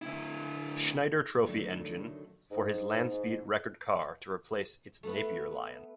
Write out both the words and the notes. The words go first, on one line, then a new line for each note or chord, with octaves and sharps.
Schneider Trophy engine for his land speed record car to replace its Napier Lion.
D3 E4
A2 D3 D#3 F#3 A3
G#2
A3 B3